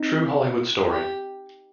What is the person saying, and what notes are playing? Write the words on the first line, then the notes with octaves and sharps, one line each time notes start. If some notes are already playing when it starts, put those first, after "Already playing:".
True Hollywood Story.
Already playing: C4 D#4
G4